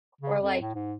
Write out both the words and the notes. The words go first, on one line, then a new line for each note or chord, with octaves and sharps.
or, like,
C#3
F2
A2
G#2